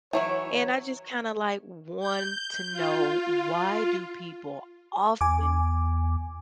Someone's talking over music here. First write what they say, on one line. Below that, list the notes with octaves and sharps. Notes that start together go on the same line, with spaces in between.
And I just kinda, like, want to know why do people often
E3 F#3 E4 C#5
G6
F4
E2 G#5 D6